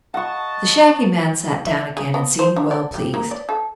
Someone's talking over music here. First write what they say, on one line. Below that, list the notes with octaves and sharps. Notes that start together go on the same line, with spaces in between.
The Shaggy Man sat down again and seemed well pleased.
D#5 F#5 A5 C#6
E5
G#4
B3
C5
D4
D5
G4
A#3
D5
A4